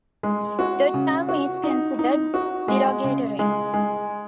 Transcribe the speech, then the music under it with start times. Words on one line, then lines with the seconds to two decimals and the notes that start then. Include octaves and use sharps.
The term is considered derogatory.
0.23 G#3
0.59 F#4
0.94 C#3
1.29 F#4
1.64 D#4
1.99 D#4
2.34 F#4
2.68 G#3
3.04 C#3
3.39 G#3
3.74 G#3